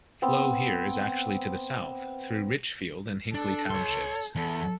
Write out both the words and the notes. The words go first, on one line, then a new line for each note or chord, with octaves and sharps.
Flow here is actually to the south, through Richfield and Hinckley Townships.
B3 C4
D4 A4
C#5 C6
E2 A4